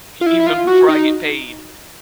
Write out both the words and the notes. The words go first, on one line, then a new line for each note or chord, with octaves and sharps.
E even before I get paid,
F4
E4
E4
F4
F#4
D#4